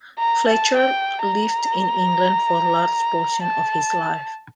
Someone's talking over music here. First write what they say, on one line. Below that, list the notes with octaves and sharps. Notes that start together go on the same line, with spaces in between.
Fletcher lived in England for a large portion of his life.
A#5
A5
G5
A#5
A5